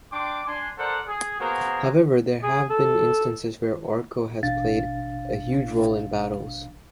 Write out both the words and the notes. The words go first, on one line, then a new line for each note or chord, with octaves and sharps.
However, there have been instances where Orko has played a huge role in battles.
D4 G5 C6 D6
D4 G#5 C6
A4 A#4 C5 D5 F#5
G#4
A#3 B3 F#4 G#4 A#4 C5
G#4
A4
A1 B2 D4 F5 A6